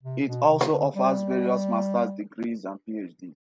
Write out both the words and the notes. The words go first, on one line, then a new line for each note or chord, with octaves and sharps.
It also offers various Master's degrees and PhD.
C3
B2
C3
D3
G3